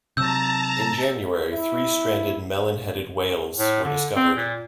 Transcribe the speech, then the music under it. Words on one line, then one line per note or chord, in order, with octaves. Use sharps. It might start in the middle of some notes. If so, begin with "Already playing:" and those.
In January, three stranded melon-headed whales were discovered.
C3 F#3 A5 A#5 E6 G6
E4
A2
D3
C4
A#2